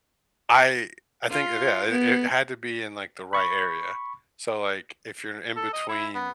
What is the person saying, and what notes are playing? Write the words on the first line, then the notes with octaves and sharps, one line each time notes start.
I I think it yeah, i it had to be in, like, the right area, so, like, if you're in between,
F4
B3
B5 C#6
A4
D#5
E4
B3